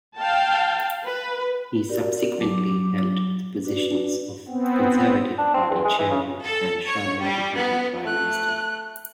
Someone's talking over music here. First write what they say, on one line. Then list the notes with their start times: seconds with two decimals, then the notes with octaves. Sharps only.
He subsequently held the positions of Conservative Party Chairman and Shadow Deputy Prime Minister.
0.17 F5 G5 A5
1.05 B4
1.89 F#4 G4 A#4 D5
2.38 F#3 D6
3.65 D4 F#4 B4 D5
4.48 B3 C4
5.38 D4
5.54 C4
5.70 E2
5.85 G#3
5.98 E3
6.11 C#3
6.42 A4
6.88 C#5
7.21 G3
7.56 B3
8.04 A3 F#6